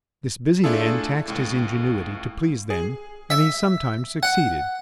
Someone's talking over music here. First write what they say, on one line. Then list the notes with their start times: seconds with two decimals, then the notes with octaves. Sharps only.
This busy man taxed his ingenuity to please them, and he sometimes succeeded.
0.64 A3 D4 E4 F4 G#4 A4
1.28 C#2 A2
2.70 G#4
3.30 E5
4.23 F#5